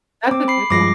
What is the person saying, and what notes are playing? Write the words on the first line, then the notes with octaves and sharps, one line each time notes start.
that's a good one.
C4 D6
B5 C7
G2 F3 G#3 D6 A#6 C7